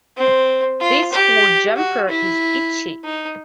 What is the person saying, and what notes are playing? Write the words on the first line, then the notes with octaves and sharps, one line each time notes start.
This wool jumper is itchy.
C4
F4
G4
F#4
E4
D#4